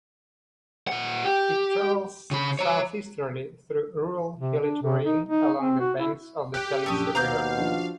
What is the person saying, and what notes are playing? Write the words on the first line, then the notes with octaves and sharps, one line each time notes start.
It travels southeasterly through rural hilly terrain along the banks of the Tennessee River.
A#2 F#5
G4
C#3 B5
C#5 A#5
C3
D4
C3
D#4
D#4
C4
F#4
E4
G4 F#6 D7
A#1 F#2 A4 C#6 D#6
D#2 B2 C5 F5 F#5 A#5 D6 G6
F3 D4 F#4